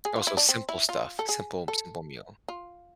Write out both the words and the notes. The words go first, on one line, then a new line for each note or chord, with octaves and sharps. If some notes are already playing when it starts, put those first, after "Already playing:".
Oh, so simple stuff; simple simple meal.
G#4
F4
E4
D4
C4
E4
F4
A4
G#4
A4
F4